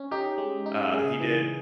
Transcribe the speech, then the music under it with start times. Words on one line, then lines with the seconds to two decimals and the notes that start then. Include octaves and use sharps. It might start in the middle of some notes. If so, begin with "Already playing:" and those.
Uh, he did.
Already playing: C#4
0.11 D#4 G4
0.38 G#3
0.66 D#4
0.93 C#3 G#4
1.20 E3